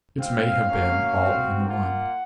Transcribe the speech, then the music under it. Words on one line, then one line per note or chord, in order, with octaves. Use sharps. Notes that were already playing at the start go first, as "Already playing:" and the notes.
It may have been all in one.
C4 F4 F5
A#3 C#4 F#4
C4 F#4
A#3 F4 F#5